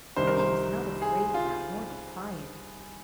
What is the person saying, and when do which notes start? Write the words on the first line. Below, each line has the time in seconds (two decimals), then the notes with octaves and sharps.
Billy was not afraid now, nor defiant.
0.16 C2 C3 D#3 C5
0.27 A#4
0.39 C5
1.02 G#4
1.34 F4